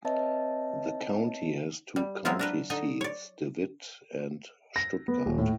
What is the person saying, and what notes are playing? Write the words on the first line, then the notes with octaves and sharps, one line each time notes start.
The county has two county seats, De Witt and Stuttgart.
C4 B4 C#5 D#5 E5 A5
G3
F#3 G#3 A#3 C4 E4 F4
D4 A#4 B4
D3 D#4 D#5
C#5 D5
A#6
B3
D#1
A2